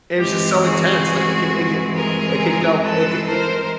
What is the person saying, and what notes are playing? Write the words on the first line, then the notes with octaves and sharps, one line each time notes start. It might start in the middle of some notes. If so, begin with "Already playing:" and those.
It was just so intense, like, it could it could it could go it c it c
G2 E3 G#3 C4 G4
F#4 G#4
G#4 A#4
A4 B4
A#4 C5